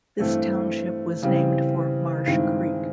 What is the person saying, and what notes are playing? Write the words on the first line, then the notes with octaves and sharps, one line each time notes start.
This township was named for Marsh Creek.
G2 E3 A3 C4
C#3 E3 G3 C4
G2 D#3 G#3 C4 E4